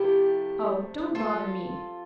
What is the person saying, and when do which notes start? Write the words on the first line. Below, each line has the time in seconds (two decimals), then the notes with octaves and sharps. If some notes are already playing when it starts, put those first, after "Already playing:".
'Oh, don't bother me.
Already playing: C3 F3 A3 E4 G4
1.15 F4 A4